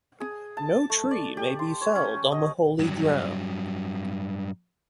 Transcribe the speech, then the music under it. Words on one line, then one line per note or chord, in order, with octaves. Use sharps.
No tree may be felled on the holy ground.
G#4
A5
A3
D5
G4
C6
C#5
C#4
D#5
G2 F#3